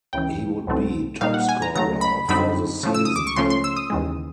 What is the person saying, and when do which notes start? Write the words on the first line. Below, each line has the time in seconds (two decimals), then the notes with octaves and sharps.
He would be top scorer for the season.
0.13 C#2 C#3 E3 G5
0.67 C2 B2 F#3 A3 C4
1.21 A#2 G3 A#3 D#4 F5
1.34 F#5
1.49 G#5
1.62 A#5
1.75 C#3 F#3 A3 A#5
2.01 B5
2.29 F#2 D3 G3 C4 D#4 B5
2.83 C#3 F3 A3
2.94 E6
3.05 D#6
3.16 D6
3.27 C#6
3.36 C#2 C#3 F3 A3 C#4 C6
3.50 C6
3.64 E6
3.76 D#6
3.90 D#2 C#3 E3 G#3